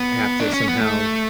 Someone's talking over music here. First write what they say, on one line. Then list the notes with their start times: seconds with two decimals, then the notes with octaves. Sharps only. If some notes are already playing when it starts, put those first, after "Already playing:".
have to somehow
Already playing: B3
0.40 D4
0.54 C#4
0.68 B3
0.81 A3